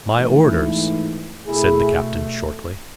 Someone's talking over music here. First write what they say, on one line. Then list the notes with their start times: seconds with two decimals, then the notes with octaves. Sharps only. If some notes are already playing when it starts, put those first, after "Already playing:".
"My orders!" said the captain shortly.
0.15 G#2 E3 A3
1.46 B2 A3 E4 G#4